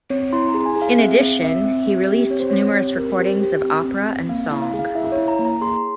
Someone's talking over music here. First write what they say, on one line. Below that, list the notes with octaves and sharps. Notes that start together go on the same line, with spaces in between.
In addition, he released numerous recordings of opera and song.
C4 C#5
E4 C6
G#4 A#5
G#5
G#4
F5
C4 E5
C4
C4 E5
C4
C4
G4
C4 C#5
C5
C4 C#5
G4
C4 A#4
G4 C5
G4
C4
C4
C4
A#3 F5
E4
F5
G#4
F5
E4 E5
C#5
E4
A#5
A#3
A#5
G#4 C6